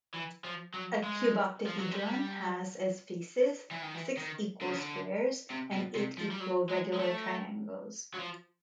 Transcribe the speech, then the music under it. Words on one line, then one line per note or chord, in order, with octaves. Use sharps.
A cuboctahedron has as faces six equal squares and eight equal regular triangles.
E3
F3
F#3
G#3
F3
F#3
G3
E3
D#3
E3
D#3
D3
C#3
D3
C3
B2
C3
F3
G3
F#3
G#3
G#3
A3
F#3
F3